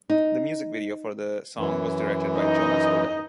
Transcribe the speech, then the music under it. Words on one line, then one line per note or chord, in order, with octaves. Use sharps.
The music video for the song was directed by Jonas Odell.
D#4
F#2 E3
D#4 D#5